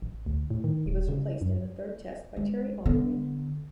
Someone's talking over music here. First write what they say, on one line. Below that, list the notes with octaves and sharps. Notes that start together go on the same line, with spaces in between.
He was replaced in the third test by Terry Alderman.
A1
D2
A2
D#3
D#1
C#3
F#2
G#3
D3 B3